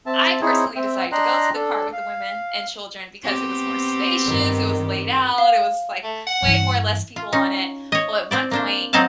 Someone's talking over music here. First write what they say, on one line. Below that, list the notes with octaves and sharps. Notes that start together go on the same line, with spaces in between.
I personally decided to go to the cart with the women and children because it was more spacious, it was laid out, it was, like, way more less people on it. Well, at one point,
C4 E5 A5
C4 D#4 E4 G#4 C5 C#5
C4 E5 G5
D4 D#5 G5 A#5 C6 F#6
D4 A4
F5
B3 C4 G4
G2 D#3
F5
A3
F#5
G2 E3
F4
C#4 D#4
C#5 D#5
C4 C5 D5
A#3 D4 C5
F#3 C4 D#4 C5 F5 A5